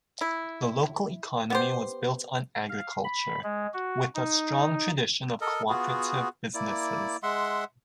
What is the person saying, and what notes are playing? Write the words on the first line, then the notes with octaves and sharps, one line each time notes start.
The local economy was built on agriculture, with a strong tradition of cooperative businesses.
E4
B3 G4 C5
F5
B5
G#3
F#4
D#4
A4 A#4 D#5
B3 F4 F#4 G#4
A#3 E4 D5
G#3 E5 F#5 C6